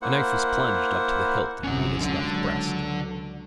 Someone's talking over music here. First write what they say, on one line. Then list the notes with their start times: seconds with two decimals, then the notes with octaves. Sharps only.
A knife was plunged up to the hilt in Rita's left breast.
0.02 A#3 E4 C5 F#5
1.64 G1 C3 C#4 F#5
2.01 C#2 D3 F#3